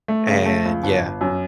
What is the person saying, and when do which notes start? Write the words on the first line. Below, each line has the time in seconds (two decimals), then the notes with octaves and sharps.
and yeah,
0.08 A3
0.27 C#3
0.46 A3
0.65 C#2
0.83 G1
1.02 G1
1.21 F#2